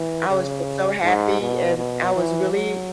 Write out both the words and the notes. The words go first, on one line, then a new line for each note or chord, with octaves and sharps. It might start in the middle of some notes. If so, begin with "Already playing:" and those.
I was just so happy and I was really,
Already playing: E3
C#3
G#2
B2
B2
E3
F#3